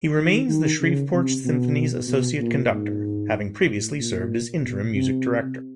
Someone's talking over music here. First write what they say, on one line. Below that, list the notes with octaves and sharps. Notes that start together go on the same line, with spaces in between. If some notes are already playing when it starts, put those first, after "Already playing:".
He remains the Shreveport Symphony's Associate Conductor, having previously served as Interim Music Director.
D#3
D#3
C#3
C3
B2
B2
A#2
G#2
A2
A#2
B2
C3